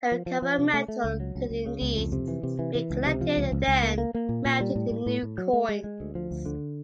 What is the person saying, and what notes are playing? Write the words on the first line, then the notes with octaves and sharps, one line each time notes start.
The recovered metal could indeed be collected and then melted in new coins.
F3
F3
F3
C3
A3
A3
C#2
F#3
C#2
C#2
C#3
C#2
F2
C3
E3
C3
E3
E3
C#2
C3
F3
C#2
C#2
C#2
A#3
A#3
A#3
A#2
A#2
G3
A2
A2
A2
A2
F#3
A3
G#3
G#3
D2
F3
D2
D3